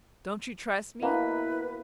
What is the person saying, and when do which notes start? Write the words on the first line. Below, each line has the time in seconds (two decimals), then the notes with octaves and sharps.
Don't you trust me?
1.02 B2 A#3 E4 B4